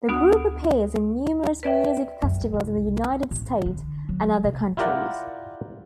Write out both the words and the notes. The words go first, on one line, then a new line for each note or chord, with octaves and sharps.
The group appears in numerous music festivals in the United States and other countries.
D2 B3 D4 F#4 F#5 D#6
B4 D5 E5 G5
F#2
C2
A1
D3
F#3
C3
E4 F4 G4 A#4 D5 F#5